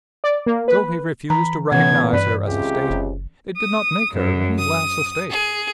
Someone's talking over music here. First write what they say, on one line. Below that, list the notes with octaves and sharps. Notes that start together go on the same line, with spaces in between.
Though he refused to recognize her as a State, it did not make her any less a State.
D5
A#3
B4
E3 A#5 B5
A2 C3 E3 B3 C#4 F#5 G#6
G2 B4 D5
C#2 C3 G4
F#1
D#6
F#2
D#6
G#4